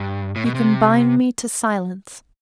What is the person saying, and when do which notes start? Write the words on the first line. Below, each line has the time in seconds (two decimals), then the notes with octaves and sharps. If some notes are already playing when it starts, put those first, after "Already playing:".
You can bind me to silence.
Already playing: G2
0.36 A2
0.46 B2
0.55 C3